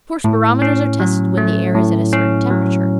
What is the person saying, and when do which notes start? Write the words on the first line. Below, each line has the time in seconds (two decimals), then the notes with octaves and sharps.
Of course barometers are tested when the air is at a certain temperature.
0.24 A2
0.62 C#4
1.00 F#3
1.38 A3
1.75 A2
2.13 C#4
2.50 F#3